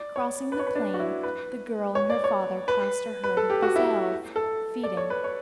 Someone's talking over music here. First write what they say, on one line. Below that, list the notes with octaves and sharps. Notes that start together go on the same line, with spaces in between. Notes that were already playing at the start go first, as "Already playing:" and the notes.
Crossing the plain, the girl and her father passed a herd of gazelles feeding.
Already playing: D5
C#5
B4
C#5
B4
D4
F#4
E4
B4
C#5
D5
C#5
B4
B4
A4
G4
F#4
E4
A4
D5
C#5
B4
C#5